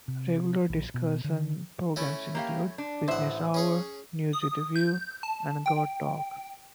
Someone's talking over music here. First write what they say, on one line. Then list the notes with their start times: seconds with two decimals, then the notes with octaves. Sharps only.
Regular discussion programs include "Business Hour", "News With a View" and "God Talk".
0.08 C3
0.70 A#1
0.94 B2
1.24 D3
1.96 A3 C#4 E4
2.35 A#3 G4 F5
2.78 D4
3.08 A1 C5 E5 F#5
3.54 C#4 G#4 C#5
4.33 D#6
4.76 G6
5.23 A5
5.66 G5